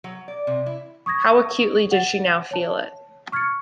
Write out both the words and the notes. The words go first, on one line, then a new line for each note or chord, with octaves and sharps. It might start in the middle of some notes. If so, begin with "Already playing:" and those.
How acutely did she now feel it!
F#3
D5
C3
E4
C#6 D#6 G#6 A#6
F#5 A6
C#5 A5
C#6 F6 G#6 A6 C#7